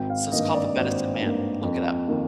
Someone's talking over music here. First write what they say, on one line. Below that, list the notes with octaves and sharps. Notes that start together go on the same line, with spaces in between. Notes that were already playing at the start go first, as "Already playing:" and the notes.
So it's called The Medicine Man- look it up.
Already playing: G#1 G5
F5
G2 D#3 A#3 D#5
D5
G#1 C5
G2 D#3 A#3
F2
D#3 A#3